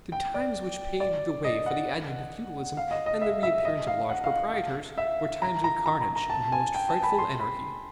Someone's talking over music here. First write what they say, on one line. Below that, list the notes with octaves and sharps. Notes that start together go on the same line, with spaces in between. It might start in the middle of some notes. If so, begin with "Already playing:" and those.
The times which paved the way for the advent of feudalism and the reappearance of large proprietors were times of carnage and the most frightful anarchy.
G5
D5
D5
D#5
F#5
F5
D#5
D#5
E5
E5
D#5
F5
F#5
F5
F5
E5
A#5
A#5
A#5
A#5
A#5
A5
G#5
G5
A5
B5
C6
B5